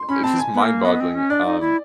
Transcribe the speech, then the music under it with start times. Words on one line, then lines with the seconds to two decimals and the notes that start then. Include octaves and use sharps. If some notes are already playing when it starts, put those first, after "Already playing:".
it's just mind-boggling, um,
Already playing: C6
0.09 C#4 B5
0.23 C4 A5
0.39 G#5
0.54 B3
0.62 A#3
0.85 B3 D#5
1.00 C4
1.15 C#4
1.30 D4 D5
1.46 D#4
1.61 E4